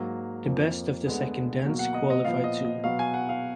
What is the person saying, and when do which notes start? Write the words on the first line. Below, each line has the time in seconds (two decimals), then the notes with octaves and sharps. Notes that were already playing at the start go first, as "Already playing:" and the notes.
The best of the second dance qualify too.
Already playing: G#2 F#3 A#3
0.46 F2 F3 A#3
1.06 D2 D3 G#3 B3
1.65 B2 F#3 A#3
1.79 F#5
1.94 D#5
2.10 D#5
2.25 A#2 F3 B3 F5
2.44 D#5
2.65 D#5
2.84 B2 F#3 B3 F5
2.99 G#5
3.14 F#5
3.29 F5